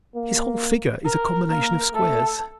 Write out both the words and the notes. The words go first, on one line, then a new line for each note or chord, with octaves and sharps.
His whole figure is a combination of squares.
A#3
A#4
A#3 A#4
A3 A4